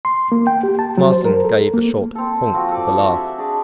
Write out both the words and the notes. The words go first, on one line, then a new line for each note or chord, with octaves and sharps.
Marsden gave a short honk of a laugh.
C6
A#3
G5
G4
A5
F#3
C5
A#4
A4
A#3
C4 A4
F3 C4 F#4
A4 D5
D4 F#4 G4 A4
E5 G#5
D4 G#4 D5